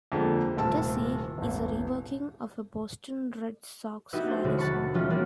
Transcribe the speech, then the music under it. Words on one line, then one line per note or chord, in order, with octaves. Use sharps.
"Tessie" is a reworking of a Boston Red Sox rally song.
F2 D3 G#3 A#3
D#1 A2 C3 A5 E6
E1 A1
B3 D#4 E4 F#4 G4 B4
D4 C5
D#2 B2 D3 G#3
F#5 A5 B5 C#6
E3 G3 G#3 C#4 F4
A#3 B3 C#4 F4 F#4 G#4